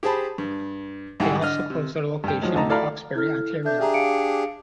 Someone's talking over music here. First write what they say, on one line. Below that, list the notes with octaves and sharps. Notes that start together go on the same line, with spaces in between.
They also closed their location in Hawkesbury, Ontario.
G4 G#4 C5 A5 B5
G2
C2 G#2 G3 E4 F#5 G5
D3 D#5 F6
C3
G2 G5
F3 F#3 G#3
D2 D3 D#4 A5 A#5
E4 A4 D5 F5 A#5 B5
E4 A4 F6
D4 A4 E5 G6
D4 G4 G#4 E5 A#5
F5 C#7 D7